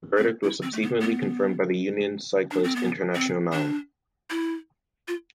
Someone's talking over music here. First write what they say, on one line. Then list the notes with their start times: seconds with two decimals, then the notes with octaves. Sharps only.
The verdict was subsequently confirmed by the Union Cycliste Internationale.
0.17 C4
0.43 E4
0.63 C4
0.73 A3
0.82 B3
1.01 B3
2.51 D4
2.64 C4
2.76 B3
3.15 C4
3.53 D4
4.30 E4
5.08 F4